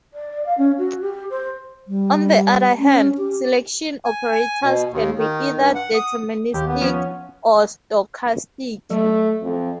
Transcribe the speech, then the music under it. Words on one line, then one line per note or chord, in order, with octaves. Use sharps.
On the other hand, selection operators can be either deterministic, or stochastic.
D5
F5
C#4
F#4
G4
C5
G3
C#4
G4
G#5
G#5
B2
D#2
D#3
G2
F#5
D#6
D#2 G4
B3
F3 C#4
F#3 A3
F2